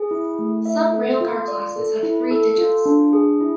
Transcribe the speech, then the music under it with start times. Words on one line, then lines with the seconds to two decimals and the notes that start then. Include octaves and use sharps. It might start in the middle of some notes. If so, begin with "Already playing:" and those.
Some railcar classes have three digits.
Already playing: G#4
0.11 E4
0.39 A3
0.65 E5
0.93 A4
1.21 F4
1.48 D5
1.76 A4
2.03 E4
2.31 A4
2.58 F4
2.86 D4
3.13 G#4
3.40 E4